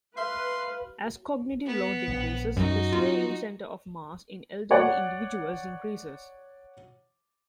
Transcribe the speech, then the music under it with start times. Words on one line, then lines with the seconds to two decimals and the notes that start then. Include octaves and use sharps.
As cognitive load increases, the sway in center of mass in elderly individuals increases.
0.17 B4 E5 F5 C6
1.66 B3
2.08 A#1
2.56 F#2 F#3 D#4 F#4
2.92 F4
4.71 C#5 D5 F#5